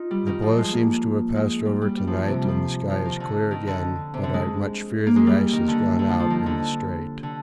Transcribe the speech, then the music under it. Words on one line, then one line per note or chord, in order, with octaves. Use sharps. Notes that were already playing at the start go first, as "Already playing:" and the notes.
The blow seems to have passed over to-night and the sky is clear again, but I much fear the ice has gone out in the Strait.
Already playing: D#4 F4
G3
D#3
F3
G#3
A#3
G#3
G3
G3
G3
F3
D3
C3
G3
F3
F3
D#3
D3
D#3
D3
C3
D3
G#3
A#3
G#3
G3
D#3
D3
D3
F3
F3
D#3
D3
D3